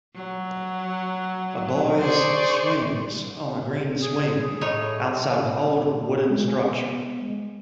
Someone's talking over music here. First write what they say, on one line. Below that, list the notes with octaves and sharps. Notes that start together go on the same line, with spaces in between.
A boys swings on a green swing outside a old wooden structure.
F#3
G#4 C5 D5 C#6
G#4
A2 D#4 C#5
F#4
G#3
G#5
B3
G#3